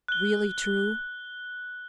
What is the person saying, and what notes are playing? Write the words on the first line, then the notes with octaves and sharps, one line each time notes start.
"Really true?"
F#6 G7